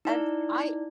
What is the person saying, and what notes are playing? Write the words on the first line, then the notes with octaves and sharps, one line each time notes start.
And I
D#4 E4 D5